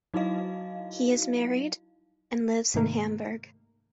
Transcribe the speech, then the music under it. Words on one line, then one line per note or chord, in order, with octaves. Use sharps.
He is married and lives in Hamburg.
F#3 D#4 E4 F#4 D#5 F5
G#2 C3 D#3 A3 A#3